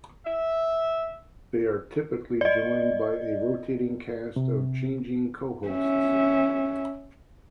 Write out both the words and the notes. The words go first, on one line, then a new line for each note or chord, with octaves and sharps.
They are typically joined by a rotating cast of changing co-hosts.
E5
D5 D#5
C3
C#4 E5